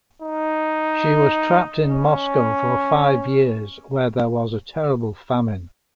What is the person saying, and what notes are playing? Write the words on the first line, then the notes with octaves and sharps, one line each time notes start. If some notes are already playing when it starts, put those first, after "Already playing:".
She was trapped in Moscow for five years, where there was a terrible famine.
D#4
C#4